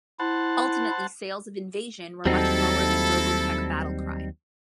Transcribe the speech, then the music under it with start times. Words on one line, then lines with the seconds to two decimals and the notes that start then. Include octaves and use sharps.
Ultimately sales of Invasion were much lower than Robotech: Battlecry.
0.20 E4 C5 F#5 A5
2.25 D#2 F#3 G3 C4 D#4 E4 A4